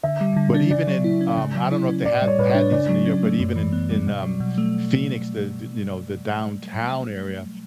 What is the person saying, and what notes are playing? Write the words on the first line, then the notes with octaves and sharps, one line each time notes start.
But even in um, I don't know if they had had these in New York, but even in in, um, Phoenix, the th you know, the downtown area,
D3 E5
G3
D3
D4
C#3 D5
F#3
E4
C#4
C#3
F#3
E4
C#4
A2 D5
G3
C#5
A2 B4
C#5
D4
C#3 D5
F#3
C#4
A3
F#2
E3
B3
G3
B2
F#3
B2
A3